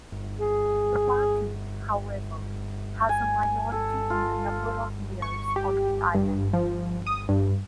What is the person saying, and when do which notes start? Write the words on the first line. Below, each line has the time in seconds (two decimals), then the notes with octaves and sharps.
The party, however, has a minority in the number of mayors on the island.
0.39 G#4
3.09 G#5
3.72 A4
4.10 F4
5.22 C#6
5.56 G4
6.15 G2
6.53 F3
7.07 D#6
7.29 G2